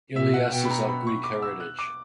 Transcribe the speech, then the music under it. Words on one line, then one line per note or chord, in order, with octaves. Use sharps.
Ilias is of Greek heritage.
A#2 E5
F#5
B2 G5
B5
A#5
B5
C#6
D6
E6
F#6
D6